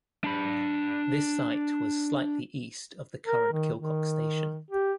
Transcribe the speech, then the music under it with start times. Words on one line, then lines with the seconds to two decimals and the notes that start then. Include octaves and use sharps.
This site was slightly east of the current Kilcock station.
0.24 D4 B5
3.26 A#4
3.52 D#3
3.77 D#3
4.70 G4